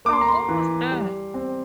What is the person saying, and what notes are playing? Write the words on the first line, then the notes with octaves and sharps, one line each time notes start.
I'm almost there.
A#3 D6
C6
A#5
C6
E3
G3
C4